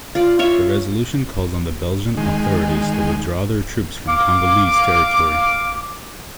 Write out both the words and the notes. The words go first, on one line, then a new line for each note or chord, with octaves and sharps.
The resolution calls on the Belgian authorities to withdraw their troops from Congolese territory.
F4 D5
F4 C#5 E5
D#3 G#3
F5 D6